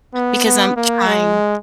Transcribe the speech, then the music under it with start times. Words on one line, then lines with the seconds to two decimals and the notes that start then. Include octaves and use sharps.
Because I'm trying
0.14 B3
0.45 B3
0.76 A#3
1.07 G#3